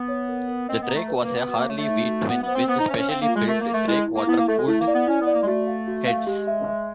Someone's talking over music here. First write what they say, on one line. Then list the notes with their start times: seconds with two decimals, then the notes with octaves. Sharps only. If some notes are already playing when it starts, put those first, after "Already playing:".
The Drake was a Harley V-twin with specially built Drake water cooled heads.
Already playing: B3
0.08 C#5
0.28 A#4
0.48 A#4
0.69 C4 D#5
0.82 B3
0.88 A#5
0.95 A3
1.08 B4
1.22 A#3
1.28 B4
1.35 B3
1.48 B3 F#4
1.58 A#3
1.68 A3 C#5
1.78 A3
1.88 D#4
2.09 F#4
2.28 B3 E5
2.42 B3
2.48 C5
2.55 C4
2.67 B3 C5
2.79 D#4
2.88 C#4 E5
2.98 C#4
3.08 C4 F5
3.21 A#3
3.28 F4
3.35 G#3
3.47 A3 A#4
3.61 A#3
3.67 A#4
3.74 A3
3.88 G#3 E4
4.07 E4
4.15 A#3
4.27 B3 E4
4.38 A#3
4.48 A3 A4
4.58 G#3
4.67 A3 E4
4.80 A#3
4.88 D5
4.94 B3
5.07 C#4 E4
5.21 B3
5.27 D5
5.33 A#3
5.43 G#3
5.47 A3 F#4
5.67 F5
5.87 F#4
6.07 F5
6.27 G#3 G4
6.47 E5
6.67 E5